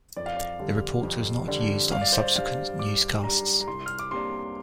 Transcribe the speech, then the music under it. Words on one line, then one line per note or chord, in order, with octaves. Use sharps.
The report was not used on subsequent newscasts.
F2 D5
F5
D5
D3 G3 D4
F2
D3 G3 D4
G2 F5
D5
C5
D5
G3 D4 F5
G2 D6
G3 D4 A#5
A#5
C2 C6
F6
D6
C3 A#3 D4 C6